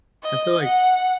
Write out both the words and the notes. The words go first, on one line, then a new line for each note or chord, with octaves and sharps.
I feel like
D#5
F#5